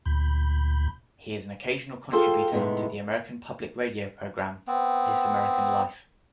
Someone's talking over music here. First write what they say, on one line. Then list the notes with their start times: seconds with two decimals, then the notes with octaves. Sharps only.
He is an occasional contributor to the American public radio program "This American Life".
0.06 D2 A#2 B5 G6
2.12 F4 G#4 A4 C5 F5 G5
2.52 A2 C3 D#3 G#3 B3 D#4
4.68 B3 C4